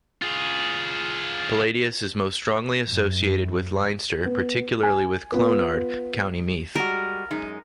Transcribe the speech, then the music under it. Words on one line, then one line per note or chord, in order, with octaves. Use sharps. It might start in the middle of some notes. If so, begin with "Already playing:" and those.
Palladius is most strongly associated with Leinster, particularly with Clonard, County Meath.
F4 G#4
F#2
B3
G#5
B3 F4 B4
G3 G#3 F#4 A#4
F#2 G#3 D#4